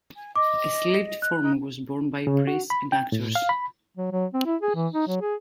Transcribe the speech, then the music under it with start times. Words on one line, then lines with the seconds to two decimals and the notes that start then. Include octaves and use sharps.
A sleeved form was worn by priests and actors.
0.16 G#5
0.36 D#5 D6
1.22 F#6
1.42 D#4
2.27 C#3
2.47 F#4
2.70 B5
2.92 G5
3.12 A2
3.35 F5
3.49 B5
3.97 F#3
4.12 F#3
4.33 C4
4.45 E4
4.61 G#4
4.75 E3
4.93 D#4
5.07 F#3
5.21 G#4